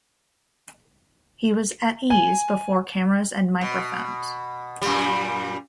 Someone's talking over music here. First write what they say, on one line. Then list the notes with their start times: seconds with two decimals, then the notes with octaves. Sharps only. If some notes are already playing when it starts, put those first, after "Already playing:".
He was at ease before cameras and microphones.
2.10 G#5
3.61 B2
4.82 F#2 A#2 G3